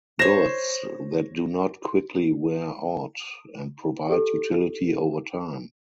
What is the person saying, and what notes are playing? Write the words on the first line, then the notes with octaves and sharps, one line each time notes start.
Goods that do not quickly wear out and provide utility over time.
C5 C#5 A#6 E7
G4 A4